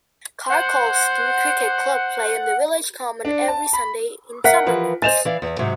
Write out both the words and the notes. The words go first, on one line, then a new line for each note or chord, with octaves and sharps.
Car Colston Cricket Club play on the village common every Sunday in summer months.
C5 F#5
D4
A5
B5
A#4 E5 F#5 B6
E3 F3 B4
C5 D#5 G#5 A6 E7 F7
E3 D5 F5
E2
G#2 C3 F#3